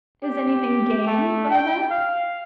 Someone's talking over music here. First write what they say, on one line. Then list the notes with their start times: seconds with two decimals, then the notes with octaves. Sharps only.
"Is anything gained by that?"
0.23 G4
1.07 A3
1.50 G5
1.90 F5